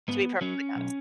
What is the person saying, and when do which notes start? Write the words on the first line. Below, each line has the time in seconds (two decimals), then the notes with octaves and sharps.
to be perfectly honest.
0.08 G#2 B3
0.41 F#3 C#4
0.76 B1